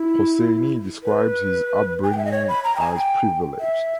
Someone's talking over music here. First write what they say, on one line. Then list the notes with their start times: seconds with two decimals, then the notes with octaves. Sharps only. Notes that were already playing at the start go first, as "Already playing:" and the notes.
Hosseini describes his upbringing as privileged.
Already playing: E4
1.04 B4
2.03 G#5
2.11 G5
2.18 E5
2.25 D#5
2.32 C#5
2.48 B5
2.64 A#5
2.76 G5
2.80 G#5
2.96 G5
3.60 E5